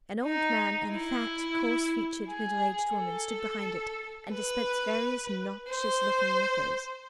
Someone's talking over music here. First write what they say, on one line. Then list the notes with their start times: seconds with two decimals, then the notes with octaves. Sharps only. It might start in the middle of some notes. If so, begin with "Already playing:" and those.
An old man and a fat, coarse-featured, middle-aged woman stood behind it and dispensed various noxious-looking liquors.
0.24 D#4
0.93 E4
2.28 G#4
2.96 A4
4.32 B4
5.68 C5